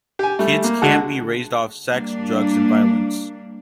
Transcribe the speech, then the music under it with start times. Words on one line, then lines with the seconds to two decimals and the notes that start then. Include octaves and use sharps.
Kids can't be raised off sex, drugs and violence.
0.19 G4 G#5
0.39 G3 A3
0.64 A#3
0.82 D3 G#3 F#4 A4
1.87 G3 A#3 D4